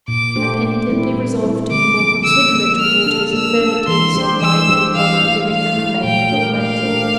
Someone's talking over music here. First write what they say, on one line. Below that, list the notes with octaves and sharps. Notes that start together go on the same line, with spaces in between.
I penitently resolved to be more considerate toward his infirmities of mind and body during the remainder of my visit.
A#2 D6
A3 D4 G4 C5
A#2
G3 C4 E4
A#2
G3 C4 E4
D3 D6
F3 A#3
D3 E6
F3 A#3
A#3 F6
D4 A4
A#3 E6
D4 A4
E3 C6
G3 D4 G4 C5
E3 E6
G3 D4 G4 C5
E3 F5
A3 E4
E3 F5
A3 E4
A#2 G5
A3 D4 G4 A#4
A#2 F5
A3 D4 G4 A#4